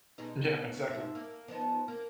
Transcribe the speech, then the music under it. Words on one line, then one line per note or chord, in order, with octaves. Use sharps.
Yeah, exactly.
B2 G#3 D#4
G#2 E5
A#3
F3 B3 D#4
A#3